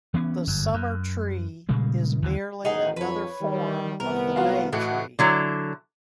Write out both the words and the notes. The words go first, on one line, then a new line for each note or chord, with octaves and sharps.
The Summer-tree is merely another form of the May-tree.
E3 B3 C#4
G1 F#2
F#2
A#2 C#3 G3 G#3
D#2 D3 E3
A1 B2 D#3 D#4 G#4 F#5
F2 D#3 F3 B4 C#5
D#3 G3
C2 A3 B3 A#4
F4 F#4 F5
A2 E3 F#4 D#5 F#5 F#6 C#7
D3 F#3 E4